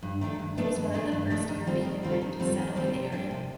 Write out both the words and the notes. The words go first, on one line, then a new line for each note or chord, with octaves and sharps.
He was one of the first European men to settle in the area.
G2
D#3 A3 D4 A4
G2
D#3 A3 D4 A4
G2
D#3 A3 D4 A4
G2
D#3 A3 D4 A4
D#3
G3 C4 F4 A4
D#3
G3 C4 F4 A4
D#3
G3 C4 F4 A4
D#3
G3 C4 F4 A4
C3
G3 D4 G4
C3